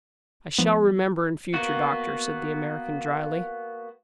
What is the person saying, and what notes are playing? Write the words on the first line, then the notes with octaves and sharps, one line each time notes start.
"I shall remember in future, doctor," said the American dryly.
F3 B3
A#3 B3 F#4